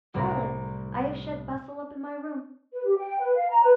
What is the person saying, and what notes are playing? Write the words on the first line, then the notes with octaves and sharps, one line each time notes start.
'Charlotte, I have shut Bustle up in my room.
C2 A2 C5 D5 A#5
B4
G4
G5
B4
F5
A#5
B4